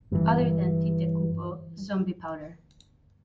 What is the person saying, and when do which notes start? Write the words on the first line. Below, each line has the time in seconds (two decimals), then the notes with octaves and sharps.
Other than Tite Kubo, Zombiepowder.
0.11 G1 G2 E3